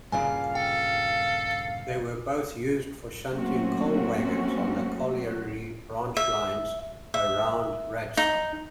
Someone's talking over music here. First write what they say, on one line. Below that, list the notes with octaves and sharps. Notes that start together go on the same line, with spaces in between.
They were both used for shunting coal wagons on the colliery branchlines around Radstock.
G2 A#2 C#3 F5 G#5
A4 G5
F#3 A3 A#3 C4 C#4 F#4
E5
E5
D#4